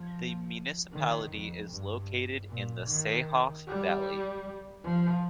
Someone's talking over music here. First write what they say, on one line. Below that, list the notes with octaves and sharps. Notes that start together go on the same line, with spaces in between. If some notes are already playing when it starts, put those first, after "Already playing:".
The municipality is located in the Seehof valley.
Already playing: F3
D#3
F2
G2
A#2
D#3
G3
F3